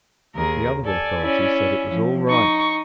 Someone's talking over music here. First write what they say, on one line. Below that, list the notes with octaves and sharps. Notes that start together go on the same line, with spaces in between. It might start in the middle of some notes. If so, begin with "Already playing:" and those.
The other authorities said it was "all right!"
D#2 G#4 A#4
A4 D5 G#5
C#4 E4
F3
D#4 C#6